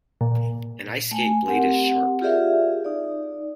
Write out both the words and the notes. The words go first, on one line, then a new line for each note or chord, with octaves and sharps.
An ice skate blade is sharp.
A#2
A3 G#5
C4 G4 A#4 F#5
F4 G4 G#4 D5 E5 F5
D#4 D5